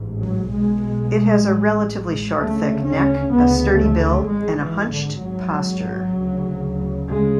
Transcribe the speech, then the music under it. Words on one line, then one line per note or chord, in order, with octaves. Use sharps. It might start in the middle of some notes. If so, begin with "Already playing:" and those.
It has a relatively short thick neck, a sturdy bill, and a hunched posture.
Already playing: A1 G#2
F#3
B1 B2 G#3
A1 A2
D2 C#3 A3
C#4
D2 C#3 B3
A3
G#1 G#2 G#3
E3
D3
G#1 G#2 F#3
D2 C#3
C#3 G#3